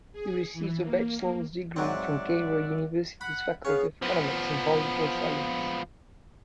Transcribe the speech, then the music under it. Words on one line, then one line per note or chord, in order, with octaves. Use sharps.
He received a bachelor's degree from Cairo University's Faculty of Economics and Political Science.
G#4
E3
A#3
G#2 F#3 C4 D5 E5 F#5
F#5 B5
B3 C#4 G#4 F5
F3 B3